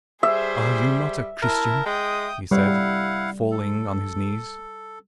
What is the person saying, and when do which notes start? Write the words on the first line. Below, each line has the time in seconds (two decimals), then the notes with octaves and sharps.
"Are you not a Christian?" he said, falling on his knees.
0.23 G3 G#4 C5 E5
1.42 E4 A#4 A5
1.86 G#3 G5 D#6
2.51 G3 E4 F5 F#5
3.51 A4